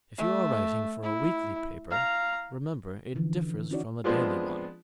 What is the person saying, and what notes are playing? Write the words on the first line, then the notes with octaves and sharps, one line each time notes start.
If you are writing for a weekly paper remember it differs from a daily one.
A3
E4
F5 A#5
D3 E3 F3 C#4
C#4 D#4 E4 F#4 C#5 D5
F3 G#3 B3 C4 D4 F4